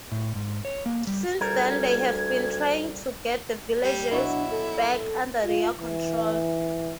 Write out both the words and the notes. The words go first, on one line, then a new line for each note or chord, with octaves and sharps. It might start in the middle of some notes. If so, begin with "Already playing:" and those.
Since then they have been trying to get the villages back under their control.
A2
G#2
C#5
A#3
G3
D2 G3 A#4 G#6
G3
B2 F#3 D4 E4
A4
F4
E3